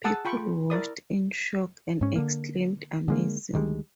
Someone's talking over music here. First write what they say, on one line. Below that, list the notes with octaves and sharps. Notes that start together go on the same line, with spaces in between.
People watched in shock and exclaimed: Amazing!
G#4 F#5 A5 D#6 E6
F4 G5 B5 C#6
E4 A#4 D5 D#6
G#2 C#4
D3 A#3
D3 G#3 A#3
D2 D#3 G3 G#3